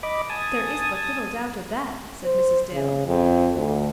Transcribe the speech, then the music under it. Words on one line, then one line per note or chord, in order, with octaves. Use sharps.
"There is but little doubt of that," said Mrs. Dale.
D#5 B5 D6
G#5 A5 D#6
C5
C#3
F2
D2